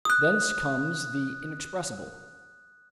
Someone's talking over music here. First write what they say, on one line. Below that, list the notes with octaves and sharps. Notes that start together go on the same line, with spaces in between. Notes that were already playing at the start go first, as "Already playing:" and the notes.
Thence comes the inexpressible.
D#6 F#6